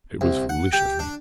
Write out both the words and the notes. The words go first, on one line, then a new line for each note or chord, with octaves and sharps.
It was foolish of me.
C2
F#5
G4
D4